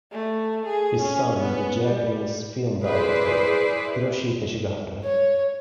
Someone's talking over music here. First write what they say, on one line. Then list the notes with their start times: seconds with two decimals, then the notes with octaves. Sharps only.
His son is the Japanese film director Hiroshi Teshigahara.
0.12 A3
0.67 G#4
1.02 C#4
1.40 B3
1.85 G3
2.84 E4 G#4 B4 C5 D5
5.04 C#5